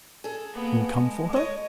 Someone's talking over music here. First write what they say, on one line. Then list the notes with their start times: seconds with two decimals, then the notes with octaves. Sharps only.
"He will come for her?"
0.24 G#4 A4
0.53 A#3 B3
0.95 G#3
1.33 C#5 D#5